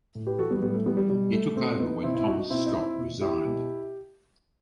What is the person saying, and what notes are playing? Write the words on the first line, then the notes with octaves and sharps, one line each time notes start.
He took over when Thomas Scott resigned.
A2
G4 B4
E3 F#4 A4
G3 B3
A2 G3 B3
A3
E3 G3 B3
G3
B2 G3
A3
B2 A3 C4
B3 D#4
B2 C4 E4
C4 E4
D#4 F#4
D#4 F#4
B2 C4 E4
D#4
C4 E4
B2
E4 G4
B2